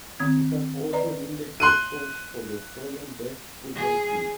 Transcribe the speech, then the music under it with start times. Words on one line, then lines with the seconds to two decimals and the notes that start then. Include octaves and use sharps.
He has also been the Head Coach for the Australian Deaf Football team.
0.20 D#3 C4 G#6
0.93 B4 D5 D#5 A#5
1.60 C6 F#6 D#7
3.75 G#4